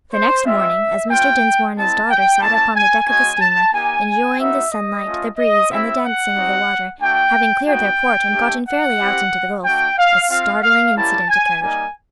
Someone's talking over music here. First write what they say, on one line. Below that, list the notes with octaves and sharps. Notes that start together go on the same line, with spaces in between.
The next morning, as Mr. Dinsmore and his daughter sat upon the deck of the steamer, enjoying the sunlight, the breeze, and the dancing of the water, having cleared their port and gotten fairly out into the gulf, a startling incident occurred.
C5
G#3 C4 F4 E5
A3 C4 F4 G5
G#3 C4 E4 A5
G5
A#3 C#4 E4 A5
G#5
G#3 C#4 F#4 G#5
A5
A#3 D#4 G4 G#5
B3 D#4 F#4 E5
D#5
A3 C#4 F4
D#5
C4 E4 G4 E5
F#5
C4 D#4 F#4
A3 D4 F#4 G5
B3 D#4 F#4 G5
A3 D4 G4
F#5
C4 E4 G4
A3 D4 F#4 G5
F5
C4 F4 F5
F5
G3 A#3 C#4 E4 G4 A5
G#5
G3 A#3 D#4 G#5